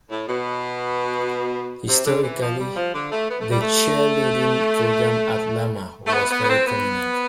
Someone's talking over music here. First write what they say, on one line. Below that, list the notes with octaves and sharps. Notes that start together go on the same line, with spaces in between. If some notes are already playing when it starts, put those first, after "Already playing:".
Historically the cheerleading program at Lamar was very prominent.
A2
B2
C3
D3
E3
F3
G3
F3
D3
A3
B3
A3
G3
A3
A3
B3
B3
B3
C4
B3